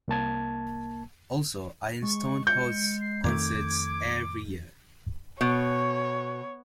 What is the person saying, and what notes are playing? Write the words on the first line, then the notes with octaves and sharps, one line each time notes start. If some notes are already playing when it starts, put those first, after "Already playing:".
Also, Ironstone hosts concerts every year.
C2 A#3 A5 G#6
G#3 C#6
G6 C#7
C7
F2 D#3 A3 D6 G#6
B2 C#5